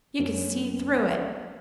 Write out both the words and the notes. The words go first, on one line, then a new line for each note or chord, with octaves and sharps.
"You could see through it."
F#2 F#3 A#3 C#4